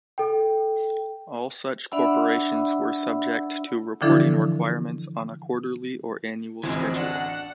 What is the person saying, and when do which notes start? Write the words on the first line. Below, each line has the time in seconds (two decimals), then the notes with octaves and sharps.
All such corporations were subject to reporting requirements on a quarterly or annual schedule.
0.18 A4 G5
1.92 D4 D5 E5 F#5 B5 E6
4.02 D3 E3 F3 D4 E4 A4
6.63 A1 D2 E3 F3 G#3 C4
6.96 D4 F#5